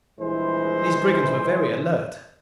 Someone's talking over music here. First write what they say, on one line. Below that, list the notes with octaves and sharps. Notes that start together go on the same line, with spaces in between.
These brigands were very alert.
A#1 E3 G3 G#3 E4 C5